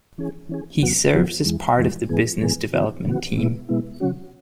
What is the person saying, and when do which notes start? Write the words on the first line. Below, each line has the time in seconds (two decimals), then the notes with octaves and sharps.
He serves as part of the business development team.
0.18 E3 C#4 G#4
0.49 E3 C#4 G#4
0.81 E2 C#3 F#3 B3 F#4
1.14 E2 C#3 F#3 B3 F#4
1.45 E2 E3 G#3
1.78 E2 E3 G#3
2.09 G#2 E3 B3 G#4
2.41 G#2 E3 B3 G#4
2.73 C#3 E3 B3 F#4
3.05 C#3 E3 B3 F#4
3.37 B2 G#3 B3 E4
3.69 B2 G#3 B3 E4
4.00 C#3 F#3 C#4 F#4